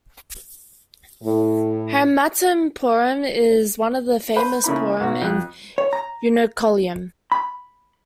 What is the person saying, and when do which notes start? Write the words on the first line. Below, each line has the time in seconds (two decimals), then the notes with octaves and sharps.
Harimattom pooram is the one of the famous pooram in Ernakulam.
1.23 A2
4.36 B4 C5 B5
4.64 C#3 A#3 E4 B5
5.00 B1 F#4
5.22 F2 F#6
5.78 C#5
5.93 A#5
7.32 B5